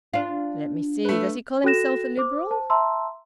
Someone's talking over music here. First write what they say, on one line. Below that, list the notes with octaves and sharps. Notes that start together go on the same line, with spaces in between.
"Let me see, does he call himself a Liberal?"
D4 F4
A3 B4
F#4 A4 G5 F#6 A#6 E7
C5 D6
C5 A5
E5 A5 A#5 C6 E6